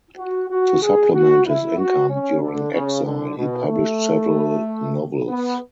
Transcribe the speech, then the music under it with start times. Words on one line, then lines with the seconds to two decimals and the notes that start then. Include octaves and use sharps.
To supplement his income during exile he published several novels.
0.17 F#4
0.49 F#4
0.81 G#4
1.13 F#4
1.45 E4
1.77 F#4
2.09 C#4
2.41 D3
2.72 C#3
3.04 D3
3.36 B2
3.68 A3
5.28 B3